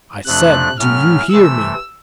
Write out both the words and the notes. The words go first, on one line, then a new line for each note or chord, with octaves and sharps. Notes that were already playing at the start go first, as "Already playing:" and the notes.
"I said, do you hear me?"
F2 C3 F3 A3 D4 F#6
A2 F#3 A3 C#4 F6
C3 E3 A3 E6